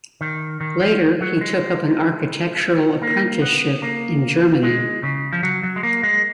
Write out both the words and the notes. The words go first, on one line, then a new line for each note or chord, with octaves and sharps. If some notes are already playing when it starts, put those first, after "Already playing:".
Later he took up an architectural apprenticeship in Germany.
D#3
D#3
F3
F#3
G#3
A#3
B3
A#3
G#3
C#3
F3
F#3
F#3
G#3
A#3
G#3